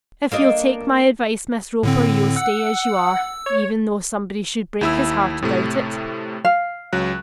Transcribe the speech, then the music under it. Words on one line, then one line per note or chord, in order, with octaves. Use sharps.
If you'll take my advice, Miss Roper, you'll stay as you are; even though somebody should break his heart about it.
A#3 D4 D#5
A2 D3 C4
F#5 E6
C#5
D#2 E4 E6
A2 C3 A3
F5
C#2 F#3 F#6